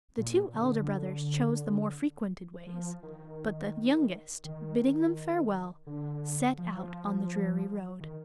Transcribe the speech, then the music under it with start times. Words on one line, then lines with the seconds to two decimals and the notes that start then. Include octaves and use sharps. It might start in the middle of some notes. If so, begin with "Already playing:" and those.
The two elder brothers chose the more frequented ways, but the youngest, bidding them farewell, set out on the dreary road.
0.18 A#2
0.54 D3
2.67 F3
3.03 D#3
4.45 D#3
5.87 D3
6.58 F3
6.77 F3
8.00 D#3